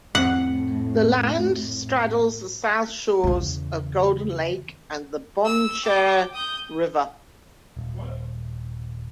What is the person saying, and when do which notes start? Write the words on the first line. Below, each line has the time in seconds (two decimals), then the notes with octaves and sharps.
The land straddles the south shores of Golden Lake and the Bonnechere River.
0.15 F2 A2 C4 F#5
3.24 E2 C#3
5.45 E6
5.84 G5 D6
6.33 D#6 G6
7.77 D#1